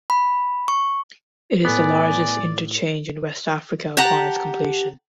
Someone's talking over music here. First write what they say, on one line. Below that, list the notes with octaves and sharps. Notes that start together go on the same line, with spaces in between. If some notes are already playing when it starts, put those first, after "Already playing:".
It is the largest interchange in West Africa upon its completion.
B5
C#6
A2 A3 B3 D5 G#5
G4 F#5 A5 A#5